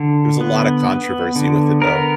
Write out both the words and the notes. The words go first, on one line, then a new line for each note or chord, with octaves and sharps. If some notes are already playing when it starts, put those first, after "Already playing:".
there's a lot of controversy with it though.
Already playing: D3
B3
B3
D3
B3 A#4